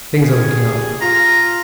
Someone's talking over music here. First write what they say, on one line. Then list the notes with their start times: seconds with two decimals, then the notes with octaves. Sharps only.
Things are looking up.
0.18 G4 G#4
1.01 F4 A#5